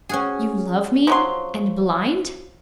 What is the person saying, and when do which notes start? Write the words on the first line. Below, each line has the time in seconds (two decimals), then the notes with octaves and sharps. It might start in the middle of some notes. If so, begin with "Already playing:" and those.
'You love me, and blind?'
0.09 C#4 F#4 G#4
1.07 F3 F#3 C6